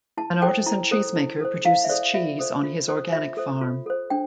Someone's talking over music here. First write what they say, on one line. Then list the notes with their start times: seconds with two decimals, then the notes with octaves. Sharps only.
An artisan cheesemaker produces cheese on his organic farm.
0.17 E4 A5
0.42 A4 C5 G5
0.66 E4 A#5
0.91 A4 C5
1.16 E4
1.40 A4 C5
1.65 E4 F5
1.84 E5
1.89 A4 C5 D5
2.14 F4 E5
2.39 A4 C5
2.64 F4
2.88 A4 C5
3.12 F4 E5
3.37 A4 C5
3.61 F4
3.86 A4 C5
4.10 D4 G5